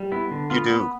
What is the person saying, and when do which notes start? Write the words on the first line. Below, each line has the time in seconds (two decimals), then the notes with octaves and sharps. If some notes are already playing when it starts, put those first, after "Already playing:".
You do.
Already playing: G3
0.12 B3 E4
0.31 D3
0.50 B3 F4
0.70 B3